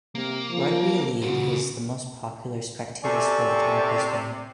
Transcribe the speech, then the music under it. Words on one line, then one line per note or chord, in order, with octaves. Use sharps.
Rugby league is the most popular spectator sport in Brisbane.
C3 A#3
F3
A#2 C#3 F#4
C3 A4 D5 G#5 C#6